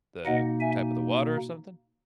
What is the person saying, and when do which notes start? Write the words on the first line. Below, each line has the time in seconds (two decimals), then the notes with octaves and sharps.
the type of the water or something.
0.26 B2 A#3 D#4 D#5 F#5
0.60 E5 G#5